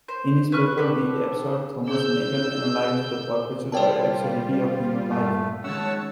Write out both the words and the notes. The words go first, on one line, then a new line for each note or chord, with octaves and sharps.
In his paper, "The Absurd", Thomas Nagel analyzed the perpetual absurdity of human life.
C5
B4 C#6 F6 F#6
G4 A4 B4
G#4 E6 G6
G3 F4 A#4 C5 D5 G5 A5
G2 A#2 A3
D#3 G#3 C#4 C#5 F#5 A5 E6